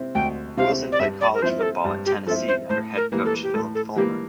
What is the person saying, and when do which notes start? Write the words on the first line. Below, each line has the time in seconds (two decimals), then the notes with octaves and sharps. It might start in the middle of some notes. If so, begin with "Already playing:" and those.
Wilson played college football at Tennessee under head coach Phillip Fulmer.
Already playing: C3 C4 E4
0.15 D2 G5
0.57 C3 G3 C4 E4 F5
0.92 D5
0.99 G2 E5
1.21 D5
1.34 A#4
1.42 F3 C4 E4 C5
1.58 A#4
1.63 A4
1.84 G2
2.06 G4
2.27 F3 C4 E4 A4
2.48 C5
2.69 A2 C5
2.97 A#4
3.12 E3 G3 A#3
3.25 A4
3.43 G4
3.54 A2 A4
3.75 A4
3.96 E3 G3 A#3 G4